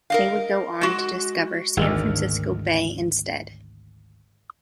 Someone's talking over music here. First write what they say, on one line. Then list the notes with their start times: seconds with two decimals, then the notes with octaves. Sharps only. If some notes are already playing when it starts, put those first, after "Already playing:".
They would go on to discover San Francisco Bay instead.
0.10 A#4 D#5 F5
0.81 G#3 F#4
1.77 G#1 D2